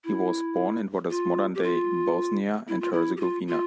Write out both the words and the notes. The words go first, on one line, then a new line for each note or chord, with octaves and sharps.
He was born in what is modern-day Bosnia and Herzegovina.
E4
F4
G4
F4
E4
F4
E4
G4
F4
F4